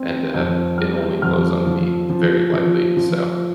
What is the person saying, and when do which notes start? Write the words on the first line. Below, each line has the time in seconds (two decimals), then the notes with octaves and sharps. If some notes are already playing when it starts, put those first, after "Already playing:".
and, uh, it only blows on me very lightly. So,
Already playing: C4
0.34 F2 G6
0.78 G3 F6
1.22 F2 F6
1.66 F3
2.10 F3
2.53 F3
2.97 F3